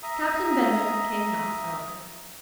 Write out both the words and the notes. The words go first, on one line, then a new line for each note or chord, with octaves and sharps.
Captain Benwick came not, however.
E5 A#5 D#6